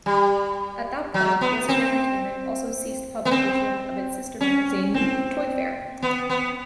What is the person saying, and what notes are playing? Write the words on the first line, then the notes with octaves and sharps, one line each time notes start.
At that point Wizard Entertainment also ceased publication of its sister magazine, "Toyfare".
G3
F#3
B3
C4
B3
C4
C#4
C4
B3
B3